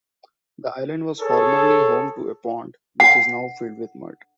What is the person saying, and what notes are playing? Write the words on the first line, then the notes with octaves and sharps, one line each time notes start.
The island was formerly home to a pond which is now filled with mud.
G#4 A4 C#5
F#5